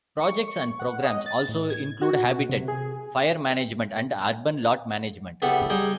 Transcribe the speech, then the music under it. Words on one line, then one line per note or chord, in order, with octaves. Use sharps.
Projects and programs also include habitat, fire management, and urban lot management.
C#6
C#6
F#5
D#5
A6
A2
G#6
F#4
B2
C3
G#4
C#3 B3 E4 G4 A4
G3 D#4 G#4 G5